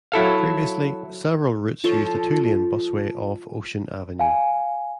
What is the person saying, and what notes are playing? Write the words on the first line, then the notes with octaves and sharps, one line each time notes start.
Previously, several routes used a two-lane busway off Ocean Avenue.
F#3 E4 A4 F5
F3 F4 A4 C#5
F5 G#5